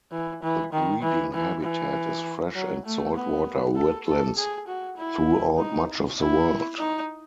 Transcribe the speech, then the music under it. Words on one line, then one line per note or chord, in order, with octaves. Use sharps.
The breeding habitat is fresh and salt-water wetlands throughout much of the world.
E3
E3
D#3
E3
E3
E3
F#3
A3
B3
A4
A4
G#4
F#4
E4
D#4
E4
D#4